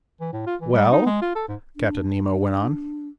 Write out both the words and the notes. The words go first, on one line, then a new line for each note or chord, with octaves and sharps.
"Well?" Captain Nemo went on.
E3
A2
F4
E3
G3
D#4
G#3
F4
A4
G#2
D4